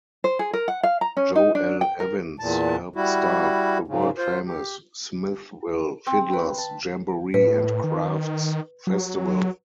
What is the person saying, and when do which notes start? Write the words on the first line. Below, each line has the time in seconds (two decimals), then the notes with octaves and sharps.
Joe L. Evins helped start the world famous Smithville Fiddler's Jamboree and Crafts Festival.
0.24 C5
0.39 G#4
0.53 A#4
0.68 F#5
0.83 F5
1.01 A#5
1.17 C#4
1.36 D#4
1.55 D4
1.81 G5
2.00 A#4
2.39 E2 A#2 A5
2.96 G3 E4 F#4
3.88 G#2 C#3
4.18 F4 C5
4.46 G4
6.07 C4
6.33 B4
6.58 A5
7.34 A2 B4
7.84 D#3
8.87 F#3